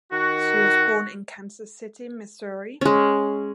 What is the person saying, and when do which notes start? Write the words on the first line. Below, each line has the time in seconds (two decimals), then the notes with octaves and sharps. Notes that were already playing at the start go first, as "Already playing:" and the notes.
She was born in Kansas City, Missouri.
0.12 D#3 F#4
2.81 G#3 C#4